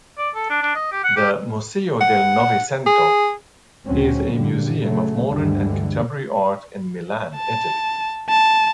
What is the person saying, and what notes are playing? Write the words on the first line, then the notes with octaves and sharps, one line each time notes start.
The Museo del Novecento is a museum of modern and contemporary art in Milan, Italy.
D5
A4
D4
D4
D#5
G4
F#5
G4
F#5
G#4
D2 A#2 F#3 C4 C#4
F#2 A#2 D3 G3 A#3
C#3 F#3 A3
D2 G2 D3 E3 G3 G#3
A5
A5